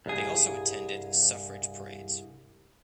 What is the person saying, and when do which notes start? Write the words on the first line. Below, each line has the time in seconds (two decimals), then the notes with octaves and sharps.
They also attended suffrage parades.
0.06 C2 G2 G#4